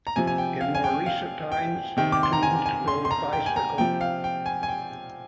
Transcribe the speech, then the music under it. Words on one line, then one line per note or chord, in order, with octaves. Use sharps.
In more recent times, students rode bicycles.
A#5
C3 F3 G#5
G#5
G5
F5
G#5
G5
F5
G5
C3 D#3 G5
D6
C6
A#5
G#5
G#5
C6
C6
A#5
G5
G#5
A#5
C3 F3 G5
F5
G5
G#5
G#5
G5